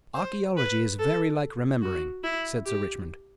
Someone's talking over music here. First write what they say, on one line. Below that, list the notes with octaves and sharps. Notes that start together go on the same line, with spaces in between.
"Archaeology is very like remembering," said Sir Richmond.
C5
B4
A4
F#4
E4
G4